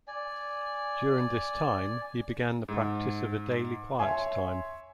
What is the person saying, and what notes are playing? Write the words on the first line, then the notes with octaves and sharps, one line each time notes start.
During this time he began the practice of a daily quiet time.
D5 G#5
G#2
C#5 E5 G#5 C6